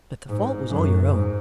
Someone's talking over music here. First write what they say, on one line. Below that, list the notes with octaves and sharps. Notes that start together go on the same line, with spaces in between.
But the fault was all your own.
G#2
F#2
G#2